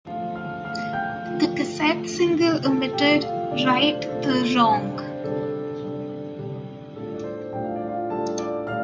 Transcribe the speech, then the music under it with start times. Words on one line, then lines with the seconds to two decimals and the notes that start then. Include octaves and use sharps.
The cassette single omitted "Right the Wrong".
0.07 F3 A3 F4 F5
0.35 F5 F6
0.65 F3 A3 F4 F5 F6
0.93 G5 G6
1.21 F3 A3 F4
1.79 F3 A3 F4
2.36 C3 A3 F4
2.65 A4 A5
2.93 C3 A3 F4 G4 G5
3.22 F4 F5
3.51 C3 A3 D4 F4 D5
3.80 C5
4.08 C3 A3 F4 A4
4.38 C5
4.60 F5
4.65 C3 G3 D4 D5
4.95 C5
5.23 C3 G3 D4 A4
5.80 C3 G3 D4
6.38 C3 G3 D4
6.95 A2 G3 D4 F4 A4
7.14 D5
7.24 C5
7.53 A2 G3 D4 F4 G5
7.64 F5
7.76 D5
7.88 F4 F5
8.09 A2 G3 D4 F4 A4 A5
8.39 D5 D6
8.67 A2 G3 D4 F5 F6